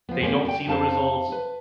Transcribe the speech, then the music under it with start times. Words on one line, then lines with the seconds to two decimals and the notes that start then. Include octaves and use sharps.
They don't see the results,
0.09 F3 B3
0.21 C3 G#3 A#3 C#4
0.45 D5 G5
0.66 F2 D#4 G4 C5 F5 A5
1.32 B4